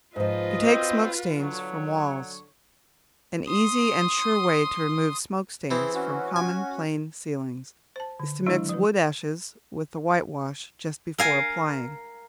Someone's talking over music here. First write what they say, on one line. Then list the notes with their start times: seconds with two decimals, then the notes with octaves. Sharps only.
To Take Smoke Stains from Walls.--An easy and sure way to remove smoke stains from common plain ceilings is to mix wood ashes with the whitewash just before applying.
0.16 G#2 F3 F4 B4 D#5
0.63 C4 F#4
1.38 D3 F#3 C#5
3.48 C6 D#6
5.71 E3 C4 G#4
5.95 C#4 F#4
6.36 G#5
7.96 C5 A5
8.20 D3
8.46 D#3 F#3 G#3 D4 E4
8.69 F3 B4
11.18 A#4 F5 G#5